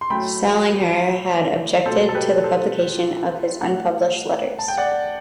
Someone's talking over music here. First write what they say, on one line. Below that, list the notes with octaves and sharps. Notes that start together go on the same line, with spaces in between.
Salinger had objected to the publication of his unpublished letters.
C6
A2 F#3 A3 G5 B5
B2 F#3 A3 A4 C5
A4
G4 B4
A4 C5
A2 G3 F#5 A5
A5
G5
D5 F#5